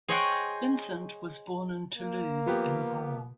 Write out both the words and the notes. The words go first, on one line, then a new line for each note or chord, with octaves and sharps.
Vincent was born in Toulouse in Gaul.
G#4 C5 C#5 D#5 F#5 G5
A#3
F3 B3 G4